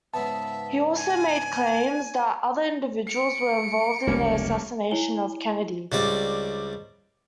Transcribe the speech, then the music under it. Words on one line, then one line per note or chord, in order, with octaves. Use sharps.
He also made claims that other individuals were involved in the assassination of Kennedy.
G#2 C#3 B3 E5 A5
G#5
C#7 D7
F1 C#2 G3 A#3 C#4
E4 C#5 G#5 G7
C#2 G3 C4 D5